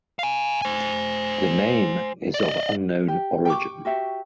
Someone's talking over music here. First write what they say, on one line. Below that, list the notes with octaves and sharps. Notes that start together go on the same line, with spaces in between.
The name is of unknown origin.
F5 G#5
C5 G#5
D5 D#5
G4
G5 C#6 D6
F#4 G4 E5